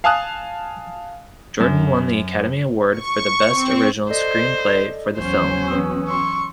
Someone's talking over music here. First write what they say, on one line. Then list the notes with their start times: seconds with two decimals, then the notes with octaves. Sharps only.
Jordan won the Academy Award for Best Original Screenplay for the film.
0.04 F5 G#5 A5 D#6 F#6
1.60 F#2
2.92 C#6
3.52 C4
4.10 A4 C5 D5 D#5
5.18 E2 F#3 C#4 C5
5.68 B4 D#6 E6
6.08 C6 C#6 E6